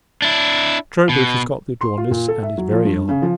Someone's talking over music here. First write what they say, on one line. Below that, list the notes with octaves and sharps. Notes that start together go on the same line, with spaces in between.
Troubridge has got the jaundice, and is very ill.
D4 E4
B2
C6
F4
A#2
A4
E5
F#3
F3
G2
C#3
F3